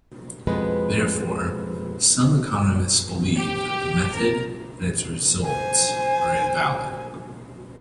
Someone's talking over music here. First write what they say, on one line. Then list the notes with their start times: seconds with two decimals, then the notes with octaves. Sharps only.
Therefore, some economists believe that the method and its results are invalid.
0.47 F2 B2 G#3 B3 B4
3.37 G4
4.14 A#4
5.44 C5 G#5